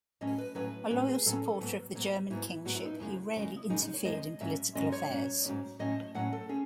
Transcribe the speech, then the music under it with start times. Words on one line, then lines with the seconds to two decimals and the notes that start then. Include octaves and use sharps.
A loyal supporter of the German kingship, he rarely interfered in political affairs.
0.21 A2 F#3 C#4 D#5
0.38 B4
0.55 A2 F#3 C#4 B4
0.90 A2 F#3 C#4 B4
1.08 G#4
1.26 A2 F#3 C#4 A4
1.60 G#2 F#3 B3
1.95 G#2 F#3 B3
2.30 G#2 F#3 B3 E4
2.65 G#2 F#3 B3 F#4
2.75 E4
2.85 D#4
2.94 E4
3.00 F#2 C#3 G#3
3.35 F#2 C#3 G#3
3.69 F#2 C#3 G#3 D#4
3.81 D#4
3.94 C#5
4.05 F#2 C#3 G#3 D#5
4.40 G#2 F#3 C#4 E5
4.75 G#2 F#3 C#4 D#5
4.92 C#5
5.10 G#2 F#3 C#4
5.45 G#2 F#3 C#4
5.79 A2 F#3 C#4 D#5
6.15 A2 F#3 C#4 F#5
6.33 A4
6.49 C#4 G#4